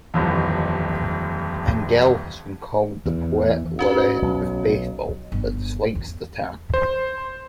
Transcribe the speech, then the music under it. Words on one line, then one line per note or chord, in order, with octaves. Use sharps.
Angell has been called the "Poet Laureate of baseball" but dislikes the term.
D#1 A1 F2
E2
C#4 F#4 B4
B1
G1
E2
C5